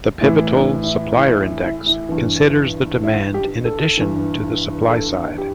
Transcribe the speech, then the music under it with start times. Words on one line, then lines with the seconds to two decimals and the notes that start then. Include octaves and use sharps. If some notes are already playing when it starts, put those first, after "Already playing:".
The Pivotal Supplier Index considers the demand in addition to the supply side.
0.21 A2 E3 E4
0.53 D4
0.83 E4
1.15 E4
1.39 D4
1.63 E4
1.86 E4
2.09 G2 E3
3.04 E4
3.34 G4
3.65 A4
3.97 G2 E3
4.90 A4
5.38 G4